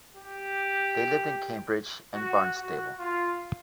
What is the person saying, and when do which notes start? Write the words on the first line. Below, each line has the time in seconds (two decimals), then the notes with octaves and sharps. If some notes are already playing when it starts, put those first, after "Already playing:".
They lived in Cambridge and Barnstable.
0.16 G4
2.14 F#4
2.56 F#4
2.99 F4